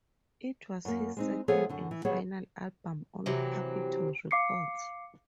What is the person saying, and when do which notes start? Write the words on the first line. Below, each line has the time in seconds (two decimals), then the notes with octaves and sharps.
It was his second and final album on Capitol Records.
0.85 F#2 A#3
1.17 G#3 C4 D#4
1.48 F3 B3 G#4 A4 C#5 E5
1.69 F#2 D3
1.91 E3
2.05 F#3 G3 B3 G#4 C#5
3.26 C3 E3 F#3 C4 G4
4.31 F5 D6 C7 C#7